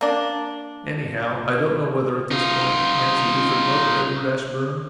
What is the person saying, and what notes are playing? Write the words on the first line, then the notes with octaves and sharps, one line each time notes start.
Anyhow, I don't know whether, at this point, Nancy Rufford loved Edward Ashburnham.
A#3 D4
D#4 F4